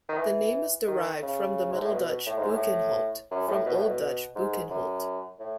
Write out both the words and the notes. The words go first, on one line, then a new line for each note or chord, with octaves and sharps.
The name is derived from the Middle Dutch "Bucghenhout" from Old Dutch "Bukenholt".
D#3
E3
D#3
C#3
G#2
A2
B2
A2
G#2
A2
F#2
A2
B2
A2
B2
G#2
F#2
A2